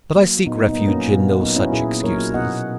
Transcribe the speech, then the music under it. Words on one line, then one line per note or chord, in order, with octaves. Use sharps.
But I seek refuge in no such excuses.
F#3 A#3
A#2 B3 D#4
B3 D#4
A#3
F#3
A#3 C#4
A#2 B3
F#3 A#3 B3 D#4
C#4 E4
A#2 E4 G#4
F#3 A#3 A#4 C#5
B2 D#5 F#5